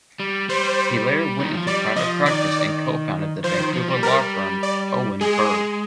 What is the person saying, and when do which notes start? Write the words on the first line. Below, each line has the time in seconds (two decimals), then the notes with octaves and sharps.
He later went into private practice and co-founded the Vancouver law firm Owen Bird.
0.20 G3
0.49 G3 C5
1.40 D#3
1.54 F3
1.67 G3 D5
1.96 F3 D#5
2.26 D#3 D5
3.44 F3 C5
3.59 D#3
3.74 F3
3.88 G3
4.03 A#4
4.63 D5
5.21 G#3 G#4